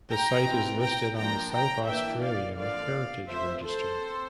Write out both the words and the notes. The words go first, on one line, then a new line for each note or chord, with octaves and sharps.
The site is listed on the South Australian Heritage Register.
G5 A#5
E3 G3 C4
G5 A#5
F3 A#3 D4 G5 A#5
G5 A#5
E3 A#3 D4 E5 G5
D5 F5
D3 F3 A#3 D5 F5
F3 A3 C4 C5 E5
A4 C5
C4